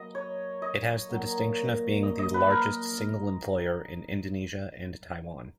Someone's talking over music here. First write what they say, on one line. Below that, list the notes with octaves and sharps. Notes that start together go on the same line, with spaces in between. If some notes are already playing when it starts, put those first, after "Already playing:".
It has the distinction of being the largest single employer in Indonesia and Taiwan.
Already playing: B2 F#3 A#3 D#5
C#5
D#5
A#2 F#3 A#3
D#5
D#5
B4
A#4